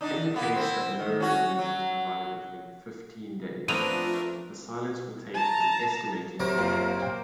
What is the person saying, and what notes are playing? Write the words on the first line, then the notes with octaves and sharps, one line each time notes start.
In the case that no resolution is provided within fifteen days, the silence will take an estimated effect.
B2 D4 D#4
A#3 B3
C4 E4
D#3
C#4 F#4
F#3
F3 A3 B3 C4 D4 A#4 D#7 F7
A5 A#5
C3 F#3 A#4 C5
F#1 A#3 F4 C7
G5